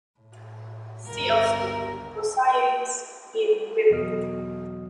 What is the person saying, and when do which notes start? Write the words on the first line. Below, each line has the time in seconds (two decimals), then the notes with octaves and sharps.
See also: Gaussian beam width.
0.19 A2
1.08 G1 C#2 A#4
3.90 E2 B2 F#3 D#5 F6